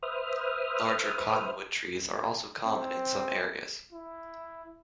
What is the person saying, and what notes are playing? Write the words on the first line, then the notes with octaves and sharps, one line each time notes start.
Larger cottonwood trees are also common in some areas.
B4 C5 E5 D#6 F6
C4
E4